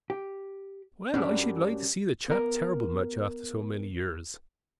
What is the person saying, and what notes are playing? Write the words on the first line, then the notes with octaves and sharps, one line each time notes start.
Well, I should like to see the chap terrible much after so many years.
G4
F#2 G3 C#4 D4
B3 A#4